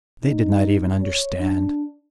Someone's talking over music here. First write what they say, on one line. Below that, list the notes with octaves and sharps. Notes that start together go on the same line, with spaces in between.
They did not even understand.
D#4
C#5
D4